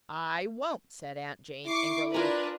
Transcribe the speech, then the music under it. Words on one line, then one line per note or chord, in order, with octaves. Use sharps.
"I won't," said Aunt Jane, angrily.
E4 C#6 D6 C7
D4 F4 A#4 B4 G#5 A#5